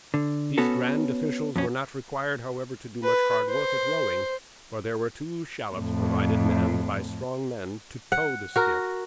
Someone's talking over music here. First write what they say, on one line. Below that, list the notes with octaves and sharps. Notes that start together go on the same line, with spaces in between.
These grand officials were not required, however, to do much hard work at rowing, for there were two shallops provided, manned by strong men, to tow the skiff.
D3
B3 C#4 F#4 A4
F2 C#4
B4
C5
F2 A2
F#5
F#4 A#4